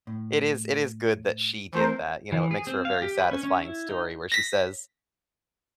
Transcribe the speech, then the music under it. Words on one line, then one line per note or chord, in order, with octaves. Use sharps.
it is it is good that she did that, you know, it makes for a very satisfying story where she says,
A2
E3 A3 C4 A#4 C5
E3
G#4
C4
F5
G4
B4
C#4
C#4
E4
D#4
A#6 B6